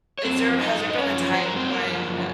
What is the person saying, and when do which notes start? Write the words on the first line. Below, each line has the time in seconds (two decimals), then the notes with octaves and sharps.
is there has there been a time when, uh,
0.19 C#5
0.24 F#2 C4 C5
0.42 F3
0.61 F#2 D#4 D#5
0.79 G#3
0.90 D#5
0.97 F#2 C#4 C#5
1.16 F3
1.34 F#2 C5
1.45 A#4
1.52 G#3 C4 C5
1.70 F#2 A#3 A#4
1.89 F3
2.07 F#2